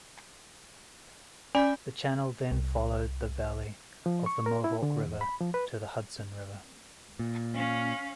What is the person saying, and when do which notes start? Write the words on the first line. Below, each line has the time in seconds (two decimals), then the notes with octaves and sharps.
The channel then followed the valley of the Mohawk River to the Hudson River.
1.55 C#4 D5 B5 G6
2.52 C2
4.06 F3
4.26 C#6
4.46 A#4
4.64 E4
4.83 D3
5.06 E2
5.21 B5
5.41 F3
5.54 B4
7.19 A#2
7.54 C#4 F5